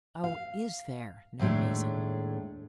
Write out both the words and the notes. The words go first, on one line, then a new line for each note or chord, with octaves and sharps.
"Oh, IS there no reason?"
F5
D#2 A2 G#3 A3 D4